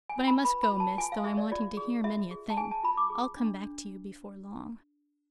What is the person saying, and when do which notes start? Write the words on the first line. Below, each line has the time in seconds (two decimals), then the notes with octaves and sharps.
But I must go, miss, though I'm wanting to hear many a thing; I'll come back to you before long.
0.09 G#5
0.18 F4
0.28 B5
0.45 B4 B5
0.63 B5
0.72 F4
0.80 A5
0.98 F4 G#5
1.12 F5
1.24 G#4 E5
1.37 D5
1.52 F4 D5
1.77 G#4
2.04 F4 E5
2.31 G#4
2.50 A5
2.57 G#4 G#5
2.71 A5
2.83 F4 B5
2.97 D6
3.10 G#4
3.37 D4
3.64 D4